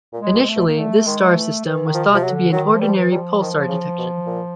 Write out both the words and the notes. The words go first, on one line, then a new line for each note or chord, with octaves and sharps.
Initially this star system was thought to be an ordinary pulsar detection.
A#2
G#3
B2
G#3
A3
B2
A#3
D3 A3
D#3 G#3
F3
E3 A3
E3
D#3
F3
C3
F3
F#3
D3
D#3 F#3
F3
E3 G3
F3
E3
F#3 G3
F3
D#3
C#3
B2
A#2